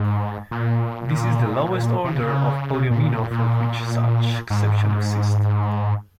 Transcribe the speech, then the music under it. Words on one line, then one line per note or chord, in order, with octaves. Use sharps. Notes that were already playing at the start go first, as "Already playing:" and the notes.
This is the lowest order of polyomino for which such exceptions exist.
Already playing: G#2
A#2
C3
C#3
A#2
A#2
G#2